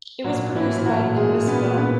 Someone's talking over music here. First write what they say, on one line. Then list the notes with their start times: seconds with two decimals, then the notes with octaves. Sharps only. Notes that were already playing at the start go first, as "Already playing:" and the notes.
It was produced by Nimbus Film.
0.24 A#2 F#3 F#4
0.39 A#2
0.55 A#2 E3 E4
0.71 A#2
0.78 E4
0.86 A#2 F#3 F#4
1.01 A#2
1.16 A#2 G#3 G#4
1.32 A#2
1.47 A#2 B3 B4
1.63 A#2
1.77 A#2 B3 B4